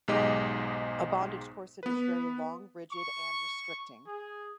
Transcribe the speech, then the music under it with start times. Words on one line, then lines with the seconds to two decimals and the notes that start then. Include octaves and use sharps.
A bondage corset is very long, rigid, and restricting.
0.08 B1 G#2 G#3 D#4 G4 D#5
1.83 B3 B4
2.91 C#6
4.06 G#4